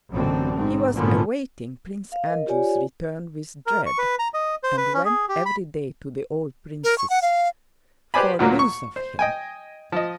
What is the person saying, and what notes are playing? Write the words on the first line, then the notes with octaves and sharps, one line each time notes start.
He was awaiting Prince Andrew's return with dread and went every day to the old prince's for news of him.
A1 F#2 B2 D3 C4
G#2 C4
G#1 A#2 D3 F3 B3 C#4
F5
A#4 D#5
F4 G4 C#5 D5 G#5
A#4
C#6
B4
A#5
D#5
C5
B4
C#4
G#4
G4
B5
A#4
C#6
F#5
F5
G4 B4 C5 D5 G#5 B5
D2 A#2 D3 F#3 A#3
C#6
C5
D#5 G5 G#5
F3 D#5